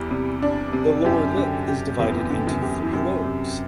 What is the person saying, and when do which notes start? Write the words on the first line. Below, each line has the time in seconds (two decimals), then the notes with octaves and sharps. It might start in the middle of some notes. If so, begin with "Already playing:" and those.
The lower lip is divided into three lobes.
Already playing: E2 E3 G3
0.11 C3
0.42 D4
0.73 C3
1.05 F#2 G4
1.37 D3
1.68 G4
1.99 E2 G4
2.30 D3
2.47 F#2
2.62 G4
2.93 F#2 C3
3.24 C3